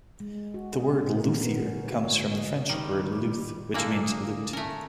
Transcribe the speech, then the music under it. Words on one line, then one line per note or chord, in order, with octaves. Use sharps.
The word "luthier" comes from the French word "luth", which means lute.
G#3
F#4
G#4
A#2
A#4
B3
C#4
D3
F#4
C#5
D#5
D#3 G3
A#2 D3 A#3 D4 E4 A4
D#6
A3 C#4 A#4